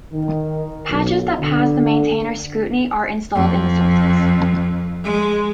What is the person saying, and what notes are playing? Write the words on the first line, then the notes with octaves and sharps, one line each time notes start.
Patches that pass the maintainers' scrutiny are installed in the sources.
D#3
B1
D3
F2
G#3